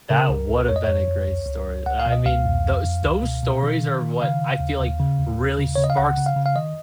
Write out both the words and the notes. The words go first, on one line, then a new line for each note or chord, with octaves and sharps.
that would have been a great story, I mean, those those stories are what I feel like really sparks
C#3 A#4
C#2
C#2
F2 C#5
D#5
F2 C#5
F2
C#2
C#2
C#2
C#2 F#5
F5
B2
D#5
C#2 F5
F2
F2
F2
C#2
B2
B2
D#3
D#3
D#3
C#3 F5
C#3
D#2
D#2
C#3
D#2
D#2
C#3
C#3 C#5
D#5
F5
C#2 F#5
C#3
F5
C#3
F5
D#3 D#5